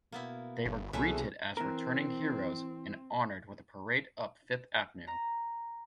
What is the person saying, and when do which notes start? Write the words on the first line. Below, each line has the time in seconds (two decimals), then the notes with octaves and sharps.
They were greeted as returning heroes and honoured with a parade up Fifth Avenue.
0.12 B2 A#3 B3 E4
0.65 G1
0.93 C2 B2 E3 C#4 G#4 A4 E5
1.57 E3 C4 A#4
5.07 A#5